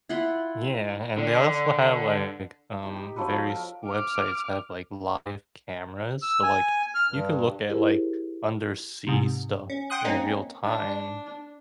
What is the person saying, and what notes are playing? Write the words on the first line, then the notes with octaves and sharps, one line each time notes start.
Yeah, and they also have like, um, various websites have, like, live cameras. So, like, you could look at, like, undersea stuff in real time,
E4 F4 F#5 C6
D3
D#4 G4
G4
F3 F#3 A4 B4
F3 D#6
A#4
D6 F6
E6
G#5
F6
G2
E4 G4 G#4 A#4 C5
G#2 C3
C#4
F#5 G5 C6 D#6 F#6
A#3 C4 C#4 D#4
D4